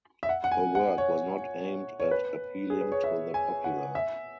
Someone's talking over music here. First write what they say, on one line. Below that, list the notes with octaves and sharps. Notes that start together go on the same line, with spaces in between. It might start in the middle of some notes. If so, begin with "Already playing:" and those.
Her work was not aimed at appealing to the popular.
E5
F#5
F#5
G#5
F#5
C#5
C#5
B4
G#4
B4
C#5
E5
G#5
F#5
E5